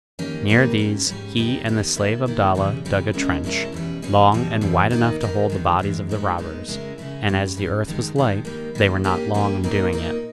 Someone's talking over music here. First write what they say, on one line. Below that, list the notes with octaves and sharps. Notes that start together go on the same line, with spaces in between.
Near these he and the slave Abdalla dug a trench, long and wide enough to hold the bodies of the robbers; and as the earth was light, they were not long in doing it.
D#3 G3 A#3 C#4
D#3 G3 A#3 C#4
G#2 G3 C#4
G#2 G3 C#4
D#3 G3 B3 D#4 G4
D#3 G3 B3 D#4 G4
D#3 A#3 E4
D#3 A#3 E4
E2 C#3 G3 C#4
E2 C#3 G3 C#4
B2 G#3 C#4 E4 A#4
B2 G#3 C#4 E4 A#4
E2 B2 G3 C#4
E2 B2 G3 C#4
E2 B2 G3
E2 B2 G3
D#3 A#3 D#4 A#4
D#3 A#3 D#4 A#4
E2 D#3 G#3
E2 D#3 G#3
A#2 G#3 B3 D#4
A#2 G#3 B3 D#4
C#3 G#3 C#4 E4 A#4
C#3 G#3 C#4 E4 A#4
G#2 G3 C#4
G#2 G3 C#4
G2 D#3 G#3
G2 D#3 G#3
D#3 G3 A#3
D#3 G3 A#3
G2 G3 A#3 C#4 G4
G2 G3 A#3 C#4 G4
A#2 A#3 D#4 A#4
A#2 A#3 D#4 A#4